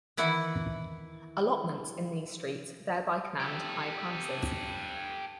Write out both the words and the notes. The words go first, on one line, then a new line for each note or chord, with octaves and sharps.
Allotments in these streets thereby command high prices.
D#3 E3 E4 F#5
G4 A4